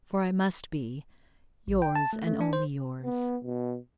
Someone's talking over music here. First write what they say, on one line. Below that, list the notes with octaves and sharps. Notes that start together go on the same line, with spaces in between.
For I must be 'Yours, and only yours.'
A1
G5
A5
A3
A3
D4
C5
B3
B2